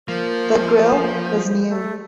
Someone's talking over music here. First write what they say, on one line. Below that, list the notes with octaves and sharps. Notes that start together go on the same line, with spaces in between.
The grille was new.
F3 A#3 C5
A3